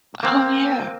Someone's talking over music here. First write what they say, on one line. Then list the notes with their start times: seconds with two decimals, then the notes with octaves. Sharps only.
Oh, yeah.
0.23 A#3 C4